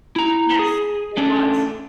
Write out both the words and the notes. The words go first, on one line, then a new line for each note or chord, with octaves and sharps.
Yes, it was.
E4 A#5
G#4
A3 C#4 D4 A4